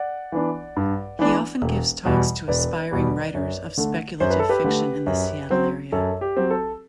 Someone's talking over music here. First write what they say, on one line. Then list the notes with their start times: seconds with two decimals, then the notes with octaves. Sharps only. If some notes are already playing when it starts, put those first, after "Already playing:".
He often gives talks to aspiring writers of speculative fiction in the Seattle area.
Already playing: D5 F#5
0.32 E3 B3 D4
0.76 G2
1.19 E3 B3 D4
1.62 E1
2.05 E2 B2 G3
2.48 E1 B4 D5
2.91 E2 B2 G3
3.35 F#2
3.78 D3 A3
4.20 F#2 C5
4.30 B4
4.40 A4
4.49 G4 B4
4.64 D3 A3
5.06 F#2
5.50 F#3 C4
5.92 F#2 A4
6.21 G4
6.37 F#3 C4
6.50 A4